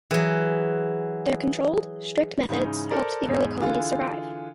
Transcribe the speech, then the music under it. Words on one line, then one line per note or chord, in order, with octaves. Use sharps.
Their controlled, strict methods helped the early colonies survive.
E3 F#3 G#4
G#2 C#3 E3 D#4
A4 A#4 C5 D5 A#5
B1 E2 G#2
D3 E3 F4 G#4